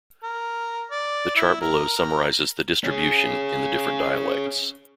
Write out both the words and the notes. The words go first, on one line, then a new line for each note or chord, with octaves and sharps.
The chart below summarizes the distribution in the different dialects.
A#4
D5
E4
A#4
A#4
C#4 G#4